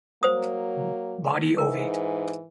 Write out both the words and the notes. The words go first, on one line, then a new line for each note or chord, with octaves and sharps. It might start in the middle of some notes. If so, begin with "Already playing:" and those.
Body ovate.
F#3 A#3 C5 D#6
G#2 E3 A#4